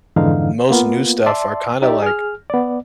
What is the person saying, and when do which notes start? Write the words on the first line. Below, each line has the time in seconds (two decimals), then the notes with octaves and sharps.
most new stuff are kinda, like
0.16 F2 G#2 D3 E3 D#4 F5
0.70 A#3 B3 F4
1.26 D5 E5 A5 C6
1.82 D#4 G4 D5 E5
2.02 G#4 F6
2.50 B3 D5